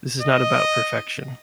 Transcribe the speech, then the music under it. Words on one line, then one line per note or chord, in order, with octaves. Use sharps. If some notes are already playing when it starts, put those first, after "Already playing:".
This is not about perfection.
D#5